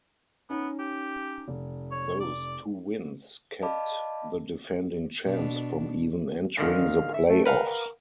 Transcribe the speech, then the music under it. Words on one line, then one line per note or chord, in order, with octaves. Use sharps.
Those two wins kept the defending champs from even entering the playoffs.
B3 C#4 D#4
G4
F1
C#5
D5
D5 D#5 F5 A5 B5 D6
B2 D4
G#2 D3 D#3 F5
E5
A3
A#4 B4 F5 F#5